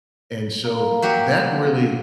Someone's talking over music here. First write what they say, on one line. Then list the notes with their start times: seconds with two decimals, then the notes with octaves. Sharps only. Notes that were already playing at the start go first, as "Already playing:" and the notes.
and so, that really
0.64 A#3
1.02 F#3 F#4 G4